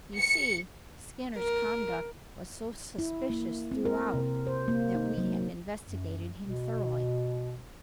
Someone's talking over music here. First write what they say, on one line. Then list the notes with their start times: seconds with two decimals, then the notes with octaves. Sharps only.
You see, Skinner's conduct was so suspicious throughout that we have investigated him thoroughly.
0.18 C#7
1.37 A#4
2.99 E4
3.30 A#3
3.71 C4
3.85 A#4
4.14 C3
4.47 C5
4.68 A#3
4.95 D#4
5.17 F#3
5.82 F#2
6.46 B2